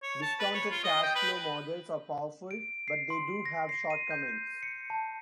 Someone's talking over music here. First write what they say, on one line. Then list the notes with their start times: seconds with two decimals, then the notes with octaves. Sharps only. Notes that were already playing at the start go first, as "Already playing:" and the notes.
Discounted cash flow models are powerful, but they do have shortcomings.
0.03 C#5
0.22 A5
0.40 B4
0.54 C#5
0.71 F4
0.84 D#5
1.03 G5
1.16 B4
2.51 D7
2.88 C7
3.10 C6
3.46 A#6
3.69 C7
3.90 D#7
4.11 G6
4.63 C#7
4.90 A5